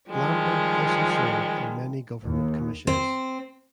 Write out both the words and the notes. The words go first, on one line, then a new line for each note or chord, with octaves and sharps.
Lambert also served on many government commissions.
D#3 F3 G3 G#3
D#2
C4 C5